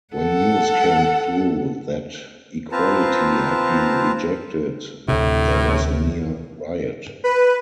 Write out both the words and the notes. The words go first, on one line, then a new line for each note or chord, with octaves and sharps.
When news came through that equality had been rejected there was a near riot.
A4 F#5
C4 F4 B4 C5 A5 A#5
D2 A2 C3
B4